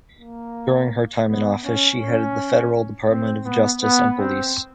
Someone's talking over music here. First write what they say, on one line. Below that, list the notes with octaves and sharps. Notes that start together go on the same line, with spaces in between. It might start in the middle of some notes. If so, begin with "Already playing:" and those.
During her time in office she headed the Federal Department of Justice and Police.
A#3
B3
C#4
C#4
C4
B3
B3
C4